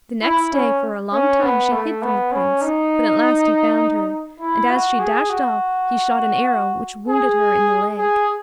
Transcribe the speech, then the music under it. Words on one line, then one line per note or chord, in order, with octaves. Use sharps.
The next day for a long time she hid from the Prince, but at last he found her, and as she dashed off he shot an arrow which wounded her in the leg.
E4
C#4
C#4
B3
A3
B3
C#4
D#4
E4
F#4
G#4
F#4
G#4
G#4